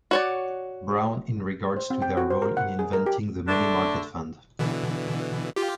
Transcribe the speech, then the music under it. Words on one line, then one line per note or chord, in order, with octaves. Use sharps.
Brown in regards to their role in inventing the money market fund.
F#4 C#5 D5
C5
C4
G5
F#4
C5
A#4
F#5
G#4
A#4
G4
D3 A3 D4
B2 D3 E3
F4 G4